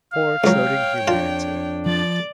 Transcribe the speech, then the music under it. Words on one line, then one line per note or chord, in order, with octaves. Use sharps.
Poor, toadying humanity!
F5
C#2 F#3 C#5 G5
F2 D4 F4 A5
F3 D5 A6